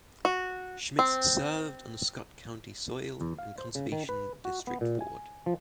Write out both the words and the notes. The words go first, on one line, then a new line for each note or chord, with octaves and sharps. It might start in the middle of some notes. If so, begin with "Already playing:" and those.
Schmitz served on the Scott County Soil and Conservation District Board.
F#4
C4
E2
F5
C5
C#3
D#3
B4
F#4
B3
A#2
G#5
F3